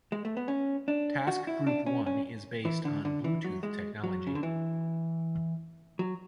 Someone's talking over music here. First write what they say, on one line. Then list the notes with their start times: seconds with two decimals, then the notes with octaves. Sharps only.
Task group one is based on Bluetooth technology.
0.12 G#3
0.25 A3
0.37 B3
0.48 C#4
0.88 D4
1.27 F#4
1.47 E4
1.67 D4
1.86 C#4
2.06 C#4
2.65 E3
2.85 D3
3.05 D3
3.24 E3
3.44 F#3
3.63 G#3
4.04 F#3
4.27 C#3
4.35 D3
4.43 E3
5.99 F#3